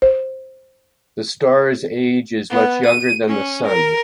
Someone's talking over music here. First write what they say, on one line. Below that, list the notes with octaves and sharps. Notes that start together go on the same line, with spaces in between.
The star’s age is much younger than the Sun.
C5
B3
D#7
C#4
A#4